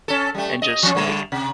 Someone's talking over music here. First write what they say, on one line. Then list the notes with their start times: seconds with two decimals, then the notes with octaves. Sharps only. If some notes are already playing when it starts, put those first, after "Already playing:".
and just, like,
0.08 C#4 A4
0.34 G3 A3
0.62 D#5
0.83 F3 C#4
0.95 D3 G3 A3
1.32 C3